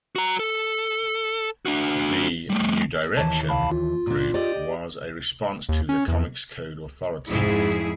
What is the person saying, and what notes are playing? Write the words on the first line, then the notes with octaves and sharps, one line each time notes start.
The "New Direction" group was a response to the Comics Code Authority.
F#4 A#5
A4
D4 F#4
G3 A3
D#2 E3 A5
F5 A5 B5
F4
A#2 D4
G4 D5 D#5
D#2
C#4
E2
F2 G#2 E4 G#4